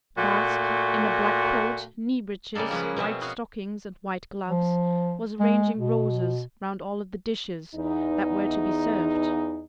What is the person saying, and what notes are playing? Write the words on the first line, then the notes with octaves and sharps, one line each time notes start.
Basque, in a black coat, knee-breeches, white stockings and white gloves, was arranging roses round all of the dishes that were to be served.
A#2 A3 F#4
C#3 G3 G#3 A#3 A4
F3 C#4 G#4 B4
A#3
B2 C4 C#4 E5
B3 F#4 G#4 F5
F3
G#3
B2
E2 D#4